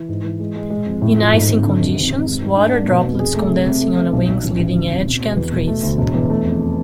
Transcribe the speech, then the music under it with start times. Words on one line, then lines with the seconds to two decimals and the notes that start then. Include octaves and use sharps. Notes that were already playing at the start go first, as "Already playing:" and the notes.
In icing conditions, water droplets condensing on a wing's leading edge can freeze.
Already playing: E3
0.09 G#2
0.24 E3
0.40 G#3
0.55 G#3
0.70 G#3
0.86 F2
1.01 A2
1.18 F3
1.33 G#2
1.48 G#1
1.64 D3
1.79 F1
1.95 G#1
2.10 G#1
2.26 G#3
2.41 G#2
2.57 D4
2.72 A3
2.88 B2
3.03 F1
3.19 G#4
3.35 A3
3.50 C3
3.66 C3
3.81 A3
3.97 A3
4.13 B1
4.28 B1
4.43 A1
4.59 A1
4.75 D2
4.90 C3
5.06 B2
5.21 B2
5.36 E2
5.52 B2
5.67 A3
5.83 D2
5.98 E1
6.14 E2
6.30 A3
6.45 F2